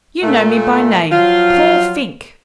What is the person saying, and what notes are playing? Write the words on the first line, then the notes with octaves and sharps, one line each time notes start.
You know me by name--Paul Fink.
A#2 A3
F3 F#3 F4